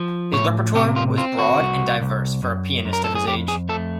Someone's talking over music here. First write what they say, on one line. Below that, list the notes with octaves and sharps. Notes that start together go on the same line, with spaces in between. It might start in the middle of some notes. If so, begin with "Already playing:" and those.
His repertoire was broad and diverse for a pianist of his age.
Already playing: F3
A2 C#5
C3 G4
F4
C4 F4
F#4
C2
C2
F#2
F#2
A#4
A4
G#4
F2 G4
G#4
A3 A4